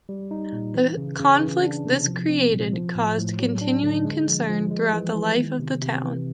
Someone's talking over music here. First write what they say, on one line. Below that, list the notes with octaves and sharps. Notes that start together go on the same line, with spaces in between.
The conflicts this created caused continuing concern throughout the life of the town.
G3
D#4
A#2
E3
C#3
C#3
E3
D4
C3
F3
C4
A#2
F3
A2
A2
F#3
D4
D3
G#3
F3
F3
G#3
E3
E3
D#3
C3
C3
E3